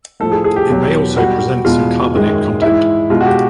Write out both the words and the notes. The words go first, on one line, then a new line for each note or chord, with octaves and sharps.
It may also present some carbonate content.
A2 F3 A3 A4
G#4
G#4
G4
E2 B2 F#3
B2 G3 F#4
E2 B2 G#3 F4
F#2 D#3 G#3
G#2 E3 G#3 E4
B2 G#3 F4
F#4
G4